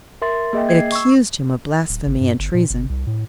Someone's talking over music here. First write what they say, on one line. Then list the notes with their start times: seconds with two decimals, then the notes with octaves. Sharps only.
It accused Him of blasphemy and treason.
0.22 A#4 E5 C6 A6
0.53 A#3 G#4 D#5 E5 G5
0.69 G#6 C7
0.92 C#6 E6
1.89 D1
2.06 G1
2.20 G2
2.39 G1
2.54 A#2
2.70 G1
2.89 C2
3.07 A2